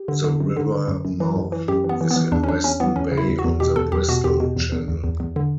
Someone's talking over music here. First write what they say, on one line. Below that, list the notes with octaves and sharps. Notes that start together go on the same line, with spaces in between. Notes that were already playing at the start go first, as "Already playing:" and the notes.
The river mouth is in Weston Bay on the Bristol Channel.
Already playing: G4
D3
D3
F#2
D3
D3
F#2
F#2
E3
F#2
E3
F#2 G4
E3
B3
E3
B3
E3
E2 D4
C#4
E2 D4
E2 C#4
E3 B3
E2 C#4
C#3
E4
E2
F#4
E2
B2 G4
E2 A4
E2 G4
B2 F#4
E2 G4
B2
E2
E2
E2
E2
E2
D3